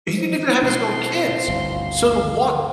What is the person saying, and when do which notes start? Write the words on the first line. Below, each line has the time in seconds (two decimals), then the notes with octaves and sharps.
he didn't even have his own kids, so to want
0.17 E4 C5
0.63 B2 C4 C6
1.48 G1 D2 F5